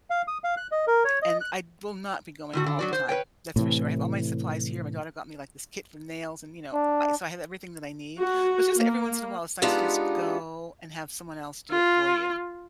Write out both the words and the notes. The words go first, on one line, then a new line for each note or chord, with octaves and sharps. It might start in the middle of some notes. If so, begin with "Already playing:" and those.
And I will not be going all the time, that's for sure. I have all my supplies here, my daughter got me, like, this kit for nails and, you know, I so I have everything that I need. But just that every once in a while, it's nice to just go and have someone else do it for you.
F5
D#6
F5
F#6
D#5
A#4
C#5
D#5
F#6
A2 D3 F#4
D3
F#3 F#4 D5
C5
B4 C#5 G5
A2 C3 E3
D4
F#4
A#3
G#3 B3 D4 D#4 F4 G4
F4